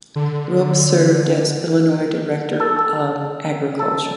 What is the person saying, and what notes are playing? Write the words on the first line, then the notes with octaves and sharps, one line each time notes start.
Ropp served as Illinois Director of Agriculture.
D3
A4
A4
A4